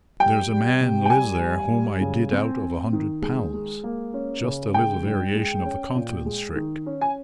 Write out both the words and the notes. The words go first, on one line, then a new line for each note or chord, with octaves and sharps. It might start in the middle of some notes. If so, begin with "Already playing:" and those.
There's a man lives there whom I did out of a hundred pounds-- just a little variation of the confidence trick.
G3 G5
G3
C3
G5
G3 G#5
G3
G3
C#3
C4
C4
D#3
G#3
G#3
A#3
C#4
C#3
G#3 G5
G2
G#3
C#4
A#2
G#3
D#3
C#4
G#5